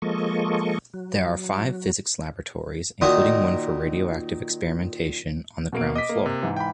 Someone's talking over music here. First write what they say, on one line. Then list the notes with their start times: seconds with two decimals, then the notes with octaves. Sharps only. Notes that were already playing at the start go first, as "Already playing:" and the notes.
There are five physics laboratories, including one for radioactive experimentation, on the ground floor.
0.02 F3 G#3 A#3 A4 D#5 C#6
0.94 F#3
3.01 A#2 D#3 D#4 F#4
5.73 B2 A#3 D7
5.96 D#5 D6 B6
6.09 A#3
6.26 C3
6.42 G#2 E3
6.57 G5 B5